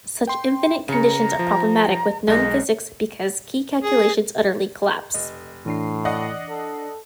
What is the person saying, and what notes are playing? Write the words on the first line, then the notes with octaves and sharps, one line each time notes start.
Such infinite conditions are problematic with known physics because key calculations utterly collapse.
G5 C6
C#3 A#5 C#7
F3
B1 G#3 D#5
G#4
F1 D#5
A2 E3 D4 C7
D5 D#5 F#5
A4